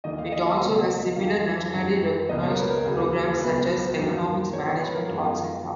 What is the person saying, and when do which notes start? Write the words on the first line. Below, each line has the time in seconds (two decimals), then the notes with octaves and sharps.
It also has similar nationally recognized programs such as economics, management, arts and law.
0.04 D#2 D#3 A#3 D#5
0.18 F5
0.32 D#5
0.46 D#5
0.60 C#2 B2 F#3 A#3
1.16 F2 D#3 F#3 F5
1.73 F#2 D#3 G#3
2.29 C#2 B2 A#3 D#5
2.43 C#5
2.50 A#4
2.56 B4
2.70 A#4
2.85 D#2 C#3 F#3 A#3 G#4
3.40 C#2 B2 F#3 B3 B4
3.96 F#2 D#3 F#3 A#3
4.53 B2 G#3 B3 C#5
4.67 C#5
4.81 B4
4.95 A#4
5.09 F#2 F3 G#3 B3 F4